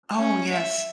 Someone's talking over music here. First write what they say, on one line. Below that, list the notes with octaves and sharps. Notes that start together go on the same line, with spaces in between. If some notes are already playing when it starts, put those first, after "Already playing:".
Oh, yes.
C#4
E5